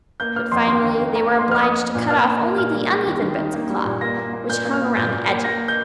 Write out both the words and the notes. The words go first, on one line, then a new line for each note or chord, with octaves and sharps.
But finally they were obliged to cut off only the uneven bits of cloth which hung around the edges.
A#3 G6
A#3 F6
F2 C6
D#2 C6
D#2
D#2
A#3 A#5
A#3
C6
F2 F6
A#3 D#6
A#3
A#2
A#3 F6
A#3
A#3
A#2 F6
G3
G3
D#2
D#3
D#3
A#3
G3
A#2
A#3 A#6
A#3
A#3
A#2 G6
A#3
F6
A#3
A#2 G6
A#2
A#3
A#3 A#6
G6